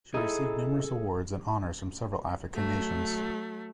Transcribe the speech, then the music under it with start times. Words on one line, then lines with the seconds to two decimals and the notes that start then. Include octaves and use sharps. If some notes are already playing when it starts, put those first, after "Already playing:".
She received numerous awards and honours from several African nations.
0.14 D#4 E4 G#4 A4
2.54 F#3 A3